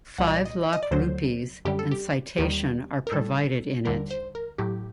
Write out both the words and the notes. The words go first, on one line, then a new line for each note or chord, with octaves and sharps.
Five lakh rupees and citation are provided in it.
C2 A#2 G3 F#5
D#5
D5
D#5
D#5
D5
D2 D3 F#3 C5
F#2 D3 G3 G4
A4
G4
D#2 D#3 G3 G4
A#4
A2 G3 A4
D#2 D3 G3 A#4
C5
A#4
A2 F#3 G4